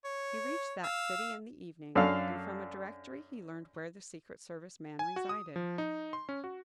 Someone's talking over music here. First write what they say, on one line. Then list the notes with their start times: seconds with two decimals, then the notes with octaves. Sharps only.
He reached that city in the evening, and from a directory he learned where the secret service man resided.
0.05 C#5
0.84 F5 E6
1.95 F#2 D4 A4 F5
4.99 G#5
5.16 F#4
5.29 D#6
5.56 F3
5.78 D#4
6.13 C6
6.29 C#4
6.44 F#4